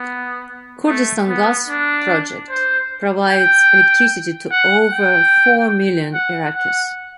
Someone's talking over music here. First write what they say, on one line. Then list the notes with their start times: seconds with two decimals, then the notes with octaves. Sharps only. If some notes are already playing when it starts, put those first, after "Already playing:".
Kurdistan Gas project provides electricity to over four million Iraqis.
Already playing: B3
0.87 A3
1.28 B3
1.68 D4
2.49 C5
3.31 G5
4.51 F#5
4.92 G5
6.14 F#5
6.54 F#5